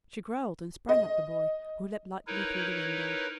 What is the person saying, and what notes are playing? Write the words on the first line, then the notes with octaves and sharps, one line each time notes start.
She growled and sprang at the boy, who leapt lightly through the window.
D#5
D#4 E4 A#4 B4 C#5